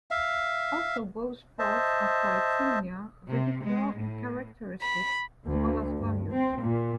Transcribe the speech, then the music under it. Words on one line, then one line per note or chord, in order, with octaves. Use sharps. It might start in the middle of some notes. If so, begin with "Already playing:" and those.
Although both sports are quite similar, they differ in characteristics as well as values.
E5 F5
C5 D#5 E5 A5
C3
G#3
A2
B5
D2
G2
C4
A#2